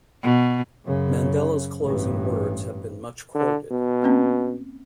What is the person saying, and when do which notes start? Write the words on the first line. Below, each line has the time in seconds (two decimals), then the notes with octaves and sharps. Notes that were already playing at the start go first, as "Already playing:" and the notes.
Mandela's closing words have been much-quoted.
0.23 B2
0.86 F#2 C#3
1.82 A1 G2
3.35 D3
3.71 B2
4.03 A#3 C4 C#4